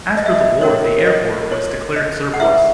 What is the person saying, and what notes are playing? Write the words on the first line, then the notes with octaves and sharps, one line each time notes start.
After the war the airport was declared surplus.
D#5
E5
D#5
C#4 F#4 A#4 C#5
C#5
D#5
C#5
D#5
F#5
E4 G#4 B4 E5